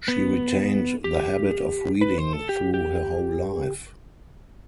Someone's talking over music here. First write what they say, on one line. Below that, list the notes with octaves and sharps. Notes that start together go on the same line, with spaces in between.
She retained the habit of reading through her whole life.
B3
G4
B4
C5
A4
G4
G4